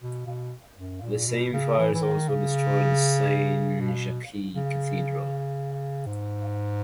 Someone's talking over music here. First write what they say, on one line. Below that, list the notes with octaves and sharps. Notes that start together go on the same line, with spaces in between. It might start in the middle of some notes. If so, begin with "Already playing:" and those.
The same fires also destroyed the Saint-Jacques Cathedral.
B2
B2
F#2
A#2
B2
C#3
E3
E3
D#3
C#3
B2
C#3
G#2